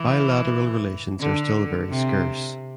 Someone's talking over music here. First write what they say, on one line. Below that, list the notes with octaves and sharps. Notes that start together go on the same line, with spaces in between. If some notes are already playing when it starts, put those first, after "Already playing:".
Bilateral relations are still very scarce.
Already playing: E3
D3
C3